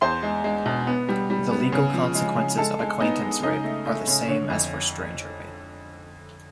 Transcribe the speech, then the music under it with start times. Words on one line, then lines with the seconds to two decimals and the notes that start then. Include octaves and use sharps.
The legal consequences of acquaintance rape are the same as for stranger rape.
0.01 E2 C5 C6
0.23 G#3
0.44 G#3
0.66 B2
0.87 B3
1.09 G3
1.30 G3
1.51 B3
1.72 C#3
1.94 F3
2.15 G#3
2.36 C#3
2.57 G#3 A4 A5
2.79 G#3
3.00 B3 D#4 D#5
3.22 G#3
3.43 C#3 D#4 D#5
3.64 A3
3.86 A3
4.07 C#3
4.28 D3 C#5
4.50 F2